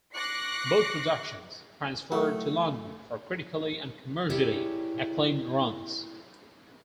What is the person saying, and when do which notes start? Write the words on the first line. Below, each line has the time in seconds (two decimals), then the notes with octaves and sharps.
Both productions transferred to London for critically and commercially acclaimed runs.
0.14 C#6 D6 F#6 A#6 C7 C#7
2.12 F#3 A3 E4 F#4 G4 A4 G5
4.30 E4 G4 G#4 A#4 C#5 D5